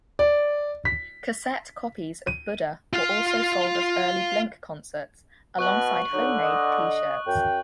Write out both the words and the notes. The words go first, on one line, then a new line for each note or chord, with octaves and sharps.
Cassette copies of "Buddha" were also sold at early Blink concerts, alongside homemade T-shirts.
D5
B6
D#7
F4 F5
B2 C#6 F#6 F#7
D3 F#3 D#4
D#5
F#2 G5